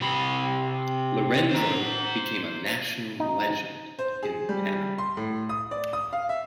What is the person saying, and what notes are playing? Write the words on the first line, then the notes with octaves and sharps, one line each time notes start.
Lorenzo became a national legend in Panama.
C3 B5
C5 A#5
D#4
C5
G#4
G3
C6
A2
D#6
D5
D#6
F5
E5